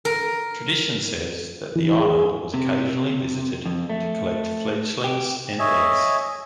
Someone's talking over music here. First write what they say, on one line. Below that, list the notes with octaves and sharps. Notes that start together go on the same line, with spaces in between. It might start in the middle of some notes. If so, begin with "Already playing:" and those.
Tradition says that the island was occasionally visited to collect fledglings and eggs.
A#4
E3
G#4
C3
F2
A3
G4
C#5 D#5 E5 G#5